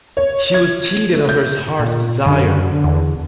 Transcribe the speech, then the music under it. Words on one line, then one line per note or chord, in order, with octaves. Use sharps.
She was cheated of her heart's desire.
C#5
G#6
A3
G6
A#2
F#2 D3
E2